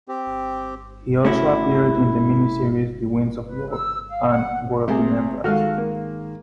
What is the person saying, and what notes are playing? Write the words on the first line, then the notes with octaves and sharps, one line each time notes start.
He also appeared in the miniseries "The Winds of War" and "War and Remembrance".
C4 G4
A3 C#4 E4 F#4
B4
E6
F5
F#5
C3 A3 C4 G#4
D#3 G#3 F#4 A4 F5 F6
A#3